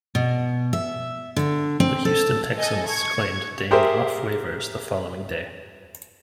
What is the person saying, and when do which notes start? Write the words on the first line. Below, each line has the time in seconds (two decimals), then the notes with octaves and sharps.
The Houston Texans claimed Dayne off waivers the following day.
0.15 B2
0.73 E5
1.36 D3
1.80 C4
2.05 A4
2.58 A4 D#5 G#5
2.89 C#6 G#6
3.71 G4 G#4 A#4 C5 E5